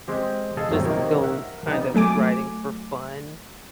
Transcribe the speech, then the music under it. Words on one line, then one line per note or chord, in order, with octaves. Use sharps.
just go kind of riding for fun,
G#3 C4 G4
G#4 A4 D#5 F5 A5
G1 A2 E3 F#3 A3 C4
C3 D#3 A#3 A#4 C#5
A#4 E5 F#5
G3 B3 D#4
F#3 A3 G#5 D6